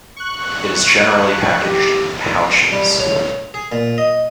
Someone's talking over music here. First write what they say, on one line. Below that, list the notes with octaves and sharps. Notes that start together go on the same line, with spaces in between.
It is generally packaged in pouches.
C#6 F#6
G4
G5
G3
C#5
G#4
A#2
D#5